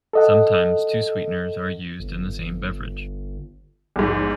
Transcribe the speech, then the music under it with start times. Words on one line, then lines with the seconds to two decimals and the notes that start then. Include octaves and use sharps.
Sometimes two sweeteners are used in the same beverage.
0.13 A4 D#5 F#5
1.99 G1
3.96 A#1 E2 G#2